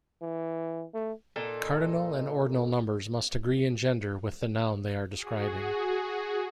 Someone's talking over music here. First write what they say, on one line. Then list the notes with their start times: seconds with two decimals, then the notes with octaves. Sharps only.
Cardinal and ordinal numbers must agree in gender with the noun they are describing.
0.21 E3
0.94 A3
1.36 A#2 D#4 A4
5.14 F#4 G#4